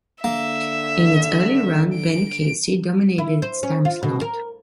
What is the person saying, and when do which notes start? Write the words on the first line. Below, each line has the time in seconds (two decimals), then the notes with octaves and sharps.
In its early run, "Ben Casey" dominated its time slot.
0.24 D3 A#3 E5
1.94 D7
3.18 E4
3.42 C5
3.63 C#4
3.85 F4
4.03 B2
4.21 A#4